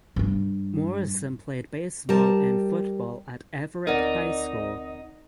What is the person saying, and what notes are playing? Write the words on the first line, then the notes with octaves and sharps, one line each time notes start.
Morrison played baseball and football at Everett High School.
G2 G3
G3 A#4 A5
D2 C4 D#4 A#4 D5 D#5 F#5